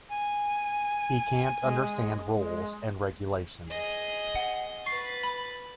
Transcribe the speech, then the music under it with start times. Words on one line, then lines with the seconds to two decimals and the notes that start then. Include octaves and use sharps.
He can’t understand rules and regulations.
0.10 G#5
1.63 G#3
2.36 G#3
3.69 G#4 D#5
4.35 F#5
4.86 B4 C#6 A6 C7
5.23 B5